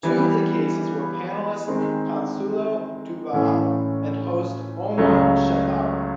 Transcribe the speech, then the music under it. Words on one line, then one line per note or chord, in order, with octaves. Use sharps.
Two of the cases were panelist Consuelo Duval and host Omar Chaparro.
E3 G3 B3
D#3 G#3 C4
A2 E3 A3 C#4
C#2 C#3 F#3 A3